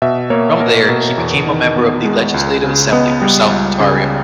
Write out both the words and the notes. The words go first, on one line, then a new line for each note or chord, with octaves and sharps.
From there, he became a member of the Legislative Assembly for South Ontario.
B2 E5
A#3 C#5
A#3 A#4
B2
E2
D#3
B3
G#3
C#2
C#3
B3 D#5
G3
C#2
C#3